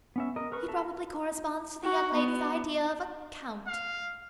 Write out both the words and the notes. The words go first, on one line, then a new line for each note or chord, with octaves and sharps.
He probably corresponds to the young lady's idea of a count.
B3 C#4 E5
A#4 D#5
A#4 B4 C#6
A4 E5 A5 A#5
F#4
B3
F5